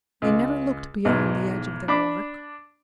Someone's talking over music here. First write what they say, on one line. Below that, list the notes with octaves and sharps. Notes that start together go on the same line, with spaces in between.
They never looked beyond the edge of their work.
C#2
B1 E2 G#2
D4 B5 D6